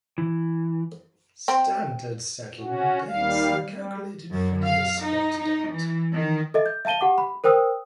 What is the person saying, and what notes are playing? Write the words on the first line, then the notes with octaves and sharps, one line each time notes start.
Standard settlement dates are calculated from the spot date.
E3
C4
C#4 F#4
D#2 G3 F5
G3
F#2
F5
D#4
D#4
E3
D#3
A4 D#5 E5
G6
E5 F5 A5 D#7 G7
G4 F#5 D6
B5
A#4 C5 G5 D#6 E6